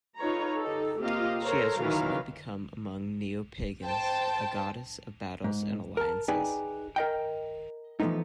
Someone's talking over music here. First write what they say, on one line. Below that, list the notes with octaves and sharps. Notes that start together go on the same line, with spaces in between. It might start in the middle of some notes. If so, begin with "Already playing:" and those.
She has recently become among neo-Pagans, a goddess of battles and alliances.
D#4 F4 A4 B4 C#5 A#5
D#4 G4 A4
A#3 C4 F4 G4 D#5 F5
A4 A#4 C5 C#5 A#5
D#3 E3 F#3 A#4 B4 F5
C5 G5 A5
G#2
A#4 A5
D#4 G#4 B4 D5 G5 G#5
A#4 D#5 G5
E3 F3 G#3 A3 B3 D#4